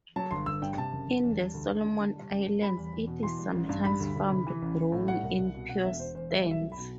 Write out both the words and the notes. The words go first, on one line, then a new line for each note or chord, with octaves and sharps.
In the Solomon Islands it is sometimes found growing in pure stands.
F#3 A5
G1 C6
G1 E6
G2 G5
C3 A5
F#1
F#1
E2
G3
D2
D2
D3
D3
G3
F#1
F#2
G3 B5
E2
E2
B2
E3 C6
G3
A1
G2
G3 B5
D2
D2
C3
E3
A1
A1
A2
G3 F#5
C2
C2
B2
B2 F#5
E1 E5
E1 C5
E2 C5
G3 E5
B1
E5
B1
B5
B2